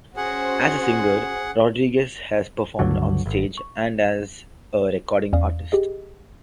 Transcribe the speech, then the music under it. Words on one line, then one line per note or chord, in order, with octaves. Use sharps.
As a singer, Rodriguez has performed on stage and as a recording artist.
C#4 F#4 G#4 C5 F#5
C#2 G2 D3 F#3
G#1
C#6
E2 C#4 D5 F5 D#6
G4 G#4 D#5